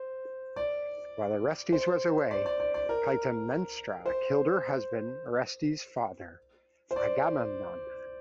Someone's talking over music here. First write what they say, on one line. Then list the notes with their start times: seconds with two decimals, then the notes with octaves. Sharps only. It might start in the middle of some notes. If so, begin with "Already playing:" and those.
While Orestes was away, Clytemnestra killed her husband, Orestes' father Agamemnon.
Already playing: C5
0.56 D5
1.72 C5
2.31 D5
2.46 D5
2.60 D5
2.74 D5
2.89 A#4
4.06 C5
6.91 C5
6.96 D5